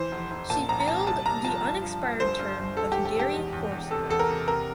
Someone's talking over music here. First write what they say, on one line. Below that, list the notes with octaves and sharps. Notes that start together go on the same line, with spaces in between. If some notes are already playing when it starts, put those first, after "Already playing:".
She filled the unexpired term of Garey Forster.
Already playing: E3 C5
F1
F1
A#2 A5
A#1 A#5
A#5
A#2 A5
C2 A5
C2 A#5
F3 A5
G2
F3
G2
G1 C5
G2
G1
E1 A4
E1 G4
G4
E1 G4
E2
E2
E2
C3 A4
E2 A4
A#4
C3
C3 A#4